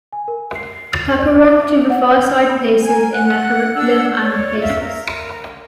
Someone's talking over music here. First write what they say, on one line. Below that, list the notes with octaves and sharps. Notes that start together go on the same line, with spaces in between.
Tacurong to the far side places in their curriculums and places.
G#5
A#4
C7
F6
D5
E5
D6
F#5
F6
B5
A#4 G#5
F#5 F#6
D4 F#5 E6
C#5 D5
E5 F5
A#4